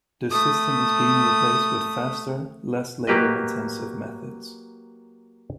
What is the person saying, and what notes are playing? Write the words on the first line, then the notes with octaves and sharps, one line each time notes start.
This system is being replaced with faster, less labor-intensive methods.
A3 D#6
F#3 A#3 G4 B4 D#5